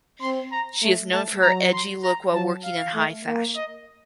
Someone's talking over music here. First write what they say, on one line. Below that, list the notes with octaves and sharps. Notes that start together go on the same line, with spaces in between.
She is known for her "edgy" look while working in high fashion.
C4 C6
A#5
A3
A3 A5
F#3 A#5
C6
A#5
F#3 A5
F5
A3
A#3
D#5